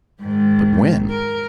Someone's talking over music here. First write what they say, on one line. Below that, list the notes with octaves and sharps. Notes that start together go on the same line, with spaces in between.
"But when?"
G#2 D#3
A#4